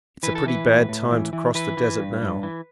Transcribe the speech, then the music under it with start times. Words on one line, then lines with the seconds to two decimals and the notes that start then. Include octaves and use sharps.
"It's a pretty bad time to cross the desert now."
0.23 E3 B4
0.35 A4
0.46 E3 B4
0.67 A2
0.89 A2
1.11 E3
1.33 E3
1.54 E3 B4
1.77 E3
1.99 G2
2.21 G2
2.43 E3